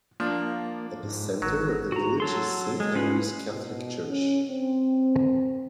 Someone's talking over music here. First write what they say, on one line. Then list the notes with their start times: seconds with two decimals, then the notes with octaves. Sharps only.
At the center of the village is Saint Henry's Catholic Church.
0.20 F3 A#3 D4
1.03 G#2
1.42 G#1 F#3
1.92 F#4 A#5
2.20 F#3 A4 C6
2.80 G#3
2.95 C#4 F4 B4
3.53 B2
4.08 C#4
4.48 C4